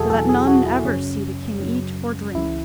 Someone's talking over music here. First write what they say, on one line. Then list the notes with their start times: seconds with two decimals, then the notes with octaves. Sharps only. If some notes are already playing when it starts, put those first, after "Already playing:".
So that none ever see the king eat or drink.
Already playing: E2 B2 F#3 E4 F#4 G#4 A4
0.10 E2 B2 F#3 A4
0.29 G#4
0.47 F#4
0.66 E4
0.85 F#2 C#3 F#3 C#4
1.59 F#2 C#3 F#3
2.35 C#2 C#3 E3 E4